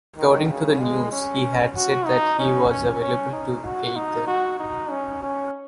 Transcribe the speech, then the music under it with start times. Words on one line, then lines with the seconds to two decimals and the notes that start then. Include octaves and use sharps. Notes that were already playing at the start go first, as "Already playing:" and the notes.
According to the news, he had said that he was available to aid them.
0.17 D#3
0.49 C#3
0.80 G#3
1.12 C#4
1.75 F#4
2.06 D#4
2.39 C#4
2.70 C#4
3.01 C#4
3.33 D#4
3.64 F#4
3.96 D#4
4.27 F#4
4.59 D#4
4.90 C#4
5.23 C#4